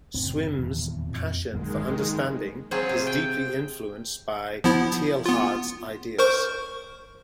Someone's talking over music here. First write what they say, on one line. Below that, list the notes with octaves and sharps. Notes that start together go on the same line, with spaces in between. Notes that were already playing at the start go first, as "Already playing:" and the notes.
Swimme's passion for understanding is deeply influenced by Teilhard's ideas.
F#1 A2 C4
D#1 E2
F2 A#2
G1 D#3 F#3 G#3 A#3
F#3 A#3
F#3 C4 F4 G#4
C3
G5
F3 B3 E4
B3 F4
A#4 C5 C#6